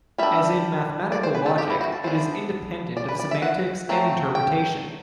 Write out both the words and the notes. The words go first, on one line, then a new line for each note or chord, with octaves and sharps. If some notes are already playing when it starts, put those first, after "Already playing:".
As in mathematical logic, it is independent of semantics and interpretation.
G3 D4 E5
D5
C5
B4
A4
G4
E4
F#4
A4
E3 B3 D4 C5
D5
B4
D5
E5
F#5
F#3 A3 C4
G5